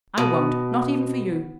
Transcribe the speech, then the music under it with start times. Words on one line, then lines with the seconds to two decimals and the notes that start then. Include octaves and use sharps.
I won't, not even for you.
0.18 B2